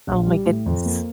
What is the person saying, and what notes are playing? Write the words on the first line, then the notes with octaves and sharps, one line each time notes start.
Oh my goodness.
A#1
G3
A2
F2
A#3